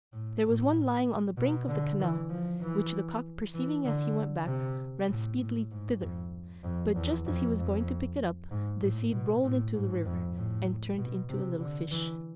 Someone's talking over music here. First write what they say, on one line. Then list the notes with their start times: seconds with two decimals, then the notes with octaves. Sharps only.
There was one lying on the brink of the canal, which the cock perceiving as he went back, ran speedily thither; but just as he was going to pick it up, the seed rolled into the river, and turned into a little fish.
0.13 A2
0.45 A2
1.37 B2
1.68 D3
2.00 E3
2.30 F3
2.61 E3
3.54 E3
3.85 D3
4.47 C3
5.09 A2
5.40 A2
5.72 G#2
6.02 F2
6.64 F2
6.96 E2
7.26 F2
7.58 F2
8.51 G#2
8.81 A2
9.12 B2
9.44 A2
9.74 G#2
10.05 F2
10.37 A2
10.98 B2
11.29 C3
11.60 D3
11.91 E3